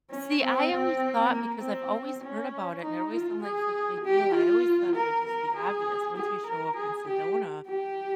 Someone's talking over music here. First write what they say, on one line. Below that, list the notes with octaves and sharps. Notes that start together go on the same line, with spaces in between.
see, I always thought because I've always heard about it and it always sound like such big deal, I always thought it would just be obvious. Once you show up in Sedona,
C#4
C4
C4
A#3
C4
C#4
D#4
F4
G#4
G4
F4
A#4
A#4
G#4
G#4
A#4
G#4
G4
G4